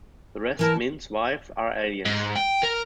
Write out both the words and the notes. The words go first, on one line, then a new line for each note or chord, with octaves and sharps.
The rest men's wives are aliens.
E3 E4 A#4 A5
G#2
G5
A#4